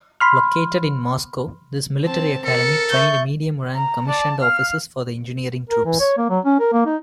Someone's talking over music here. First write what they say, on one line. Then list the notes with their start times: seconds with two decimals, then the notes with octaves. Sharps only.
Located in Moscow, this military academy trained medium-rank commissioned officers for the Engineering Troops.
0.20 B5 C6 F6
2.04 C4 A5
2.45 A4 A#4 C#7
2.90 E5 C#6 G6 A6
3.75 A#5
4.08 D5 A5
4.42 F5 F6
5.70 A#4
5.85 E3
6.00 C#5
6.18 A#3
6.30 F#3
6.45 C#4
6.60 A#4
6.73 A#3
6.86 D#4